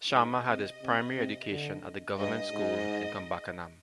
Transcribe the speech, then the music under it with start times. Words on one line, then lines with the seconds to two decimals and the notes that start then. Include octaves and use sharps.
Sharma had his primary education at the Government School in Kumbakonam.
0.13 G#2 D#5
0.48 C3
0.81 C3
1.16 C3
1.50 D3
2.18 G2 D#5
2.52 G#2